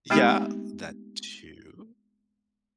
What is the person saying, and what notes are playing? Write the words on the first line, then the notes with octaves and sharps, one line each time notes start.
Yeah, that too.
G#3 A3 B3 C4 D#4 G4